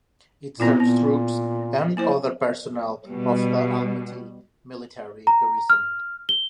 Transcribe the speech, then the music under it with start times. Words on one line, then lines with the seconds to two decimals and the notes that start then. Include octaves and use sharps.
It serves troops and other personnel of the Almaty Military Garrison.
0.60 A#2 B3 C4 E4
0.80 A#2 B3
1.97 A#3 E4 C5
3.06 B2 G3
5.27 A#5
5.70 F6
6.29 G7